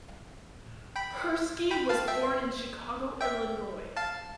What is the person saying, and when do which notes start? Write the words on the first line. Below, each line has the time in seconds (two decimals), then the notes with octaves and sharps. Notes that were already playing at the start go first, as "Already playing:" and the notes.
Persky was born in Chicago, Illinois.
0.96 G5 B5
1.71 G5 B5
1.89 F5 A5
2.08 E5 G5
3.21 E5 G5
3.97 F5 A5